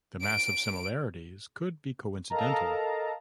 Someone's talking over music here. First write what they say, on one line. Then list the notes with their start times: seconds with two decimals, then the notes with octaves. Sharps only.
The massive similarities could be coincidental.
0.23 D7
2.30 A4 A#4 D#5 F5 A5 A#5